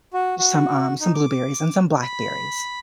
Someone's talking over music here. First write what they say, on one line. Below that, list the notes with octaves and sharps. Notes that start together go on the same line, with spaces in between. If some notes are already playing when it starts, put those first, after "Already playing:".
some um, some blueberries, and some blackberries,
F#4
F#4
D#4
D6
B5